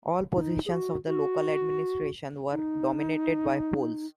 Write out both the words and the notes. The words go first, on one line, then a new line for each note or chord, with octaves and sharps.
All positions of the local administration were dominated by Poles.
D#4
G#4
F#4
F#4
D#4